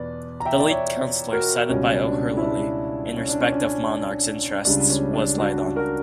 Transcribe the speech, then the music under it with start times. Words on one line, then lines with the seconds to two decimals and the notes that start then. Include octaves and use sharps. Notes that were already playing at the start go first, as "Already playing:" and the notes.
The lead councillor cited by O'Herlihy in respect of Monarch's interests was Lydon.
Already playing: E2 B2 B4 D5
0.40 A#5
0.45 E5 G5
0.60 D5
0.70 C#5 E5
1.32 F#4 A#4
1.69 C#2 B2 G3 C#4
2.06 D4
2.37 E4
2.43 D4
3.16 C#4
3.29 D4
3.41 C#4
3.52 D4
3.64 C#4
4.65 C#2 C#3 G3 D4
4.90 C#4
5.14 D4
5.38 D4 F#4
5.76 F#4 A#4